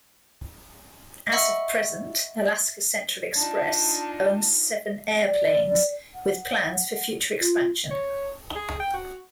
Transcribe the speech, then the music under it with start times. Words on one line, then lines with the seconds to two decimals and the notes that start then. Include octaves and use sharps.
As of present, Alaska Central Express owns seven airplanes with plans for future expansion.
1.32 D#5 E5 F#5 B5 C#6 E6
3.33 D4 D#4 F4 A5
5.21 D5
6.14 F#5
7.39 F4
7.91 C#5
8.55 G#4
8.80 G5
8.94 F#4